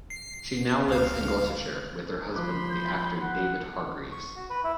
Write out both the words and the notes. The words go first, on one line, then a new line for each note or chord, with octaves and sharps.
She now lives in Gloucestershire with her husband, the actor David Hargreaves.
C7
C#2 F5
F3 B5 C6 D6 F#6
G6
F#5
C#6
F#4
B4
E4